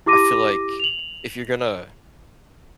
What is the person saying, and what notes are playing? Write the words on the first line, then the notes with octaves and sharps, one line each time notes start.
I feel like if you're gonna
E4 G4 D6 A#6 D#7
F7 F#7